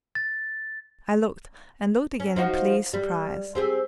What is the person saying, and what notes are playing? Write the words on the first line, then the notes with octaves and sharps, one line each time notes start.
I looked, and looked again in pleased surprise.
A6
C#4
F3 D#4 F#4
G3
C4 G4 G#4